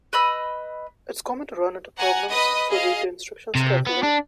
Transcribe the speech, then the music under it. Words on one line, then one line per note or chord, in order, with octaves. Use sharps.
It's common to run into problems, so read the instructions carefully.
B4 D#5 B5 E6
F#5 G#5 A#5
B4 D#5 B5 D#6
G#4 D#5 F5
C3
B3
D4